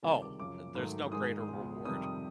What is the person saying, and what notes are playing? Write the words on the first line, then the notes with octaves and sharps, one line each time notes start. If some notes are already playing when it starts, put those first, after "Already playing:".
Oh, there's no greater reward.
C#2 C3 D#3 G3 A5
D6
F#2 C#3 F3 D6
G#2 D#3 F#3 A3
G#2 D#3 G#3 D#6
C#2 B2 G#3
F2 C3 D#3 G3 D#6
D#6